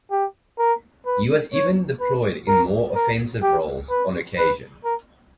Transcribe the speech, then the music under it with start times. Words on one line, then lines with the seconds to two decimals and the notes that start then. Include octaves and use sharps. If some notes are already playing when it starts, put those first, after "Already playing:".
He was even deployed in more offensive roles on occasion.
0.11 G4
0.59 A#4
1.06 B4
1.53 C#5
2.00 B4
2.47 A#4
2.95 A#4
3.42 G4
3.90 B4
4.38 B4
4.85 A#4